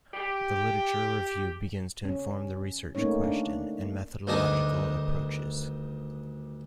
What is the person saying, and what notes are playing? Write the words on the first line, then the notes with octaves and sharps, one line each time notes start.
The literature review begins to inform the research question, and methodological approaches.
G4
C#4
A3 A#3 C#4 D#4 C#5
C#4 D4
D2 G2 D#3 D4 D#4 G#5